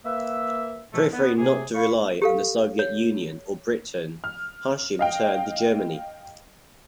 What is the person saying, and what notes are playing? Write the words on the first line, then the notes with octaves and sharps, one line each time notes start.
Preferring not to rely on the Soviet Union or Britain, Hashim turned to Germany.
A#3 B4 E5
G#2 B2 E3 F3 G#3 A3
B3
C3 G#4
F5 B5 C#6
G4 A4 F5
C#5
F6
D#5 F5 G5